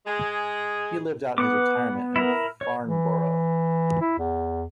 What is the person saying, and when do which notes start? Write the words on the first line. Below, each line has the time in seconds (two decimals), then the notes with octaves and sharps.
He lived out his retirement in Farnborough.
0.06 G#3 G#4
1.38 B3 F#5 D6
2.16 E4 A#4
2.61 C#5
2.84 E3
4.01 E4
4.19 E2